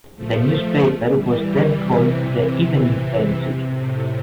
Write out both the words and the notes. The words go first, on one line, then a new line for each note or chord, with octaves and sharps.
The newspaper was then called "The Evening Venture".
F3 A3
E3 G3
C3 E3
C3 E3
C3
A2